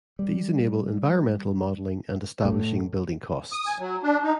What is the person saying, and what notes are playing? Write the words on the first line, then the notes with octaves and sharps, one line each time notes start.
These enable environmental modelling and establishing building costs.
G3
A2
D#6
G#5
F#3
D4
D#4